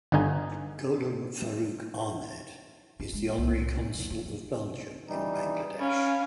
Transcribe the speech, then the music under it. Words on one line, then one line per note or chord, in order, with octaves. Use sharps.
Golam Faruk Ahmed is the honorary consul of Belgium in Bangladesh.
G1 G2 D3 D#4 G#5
F4
G#3
C2
F2
F#3
E3 G3 D#4
C#4 F5 B5